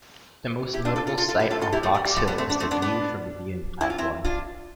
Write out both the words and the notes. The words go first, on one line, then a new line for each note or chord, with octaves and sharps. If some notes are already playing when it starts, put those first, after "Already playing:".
The most notable sight on Box Hill is the view from the viewing platform.
E4 G4
D4 F4
F4 A4
F4 A4
F4 A4
F4 A4
G4 B4
F4 A4
F4 A4
E4 G4
F3 A3
G3
G3
F3 A3
G3 B3
A3 C4
B3 D4
A3 C4
B3 D4
B3 D4
E4
F4
C4 E4
D4 F4